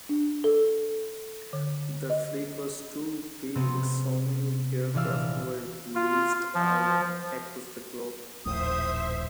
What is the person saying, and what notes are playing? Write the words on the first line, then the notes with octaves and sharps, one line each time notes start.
The fleet was too big, so many aircraft were leased out across the globe.
D4
A4
D3
D#5
C3 G#3 B3 C4
A#1 E3 D5 F5 E6
F4
F3
D#1 A#1 A2 C5 E5 D#6